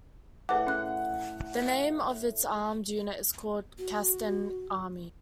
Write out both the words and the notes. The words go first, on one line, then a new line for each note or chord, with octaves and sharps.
The name of its armed unit is called Kasdan Army.
A2 G#4 B4 F#5 D6
C#4 F#6
F#4